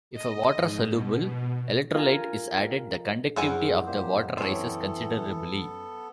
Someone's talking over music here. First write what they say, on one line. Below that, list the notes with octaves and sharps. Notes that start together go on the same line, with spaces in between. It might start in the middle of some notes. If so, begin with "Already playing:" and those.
If a water-soluble electrolyte is added, the conductivity of the water rises considerably.
D#5
G#2
B2
F4 A#4 G#5
F#2 C4 E4 G#4 F#5 G#5 F6
A#2 G4 C5
E3 B3 C4 A4 C#5